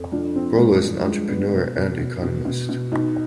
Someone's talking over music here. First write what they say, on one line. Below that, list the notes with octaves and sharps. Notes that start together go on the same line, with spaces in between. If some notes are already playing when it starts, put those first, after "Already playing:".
Brolo is an entrepreneur and economist.
Already playing: F2
F3 D4
F3 C4
F3 G#3
G2
F3 G#3
D3 B3
B2
B2
B2
B2
B2
B2
B2 D#4